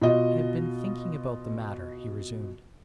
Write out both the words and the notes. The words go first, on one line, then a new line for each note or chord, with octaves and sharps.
"I have been thinking about the matter," he resumed.
B2 F4 D#5